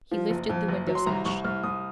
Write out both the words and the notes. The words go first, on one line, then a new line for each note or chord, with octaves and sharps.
He lifted the window-sash.
F3
F#1
F2
F#1
F#3
C6
C2 A#5
C2 C#6
C2 F6
C2 D#6